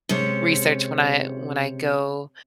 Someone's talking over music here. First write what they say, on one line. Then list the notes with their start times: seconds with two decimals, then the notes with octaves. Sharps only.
research when I when I go,
0.09 C3 G#3 C#4